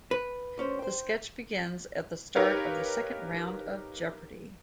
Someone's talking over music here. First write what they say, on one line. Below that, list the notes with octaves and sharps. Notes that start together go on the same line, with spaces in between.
The sketch begins at the start of the second round of Jeopardy!
B4
D2 C#4 C5
C5 G5
D#4 G4 A#4 B4 C#5 F5